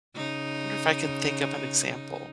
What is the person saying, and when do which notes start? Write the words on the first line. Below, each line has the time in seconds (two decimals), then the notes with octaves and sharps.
Wonder if I can think of an example.
0.15 C#3 D#4